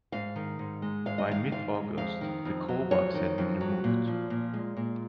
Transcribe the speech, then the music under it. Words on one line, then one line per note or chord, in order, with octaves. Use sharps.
By mid-August, the core box had been removed.
G#2 F5
D#3
G#2
G#3
G#2 F5
D#5
D#3 F5
G#2 F5
G#3
F2 F5
D#3
F2
F#3
F2 C#5
D#3
F2
F#3
A#2
F3
A#2
G#3
A#2